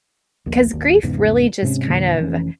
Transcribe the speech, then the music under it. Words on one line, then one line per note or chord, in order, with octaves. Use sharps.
'cause grief really just kind of
A#1 D#2
G#1 D#2
A#1 E2 G#2 C#3
G#2 C3 C#4
E2 A#2 D3
F1 E3 C#4